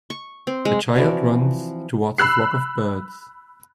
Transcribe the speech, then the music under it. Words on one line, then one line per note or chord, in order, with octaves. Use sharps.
A child runs towards a flock of birds.
C#6
C4
G#3
E3 F3 C4 F#4 D5
B5 E6 F#6 C7